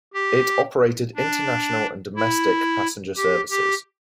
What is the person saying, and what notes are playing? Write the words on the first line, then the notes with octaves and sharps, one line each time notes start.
It operated international and domestic passenger services.
G4
D4
E4
G4
G4